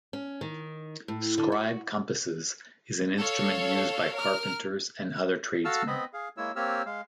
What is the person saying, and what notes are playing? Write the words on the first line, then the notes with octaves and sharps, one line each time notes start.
Scribe-compasses is an instrument used by carpenters and other tradesmen.
C#4
D#3
A2
D3
F#4
A4 C#5 F5
A#4 F6
F#4 A4 F5 A5 E6 F6
B3 C4 D#5 B5
G#4 F5
G#3 A#3 E4 C#5 E6
A#3 C4 G4 C#5 E6 F6
G#3 F5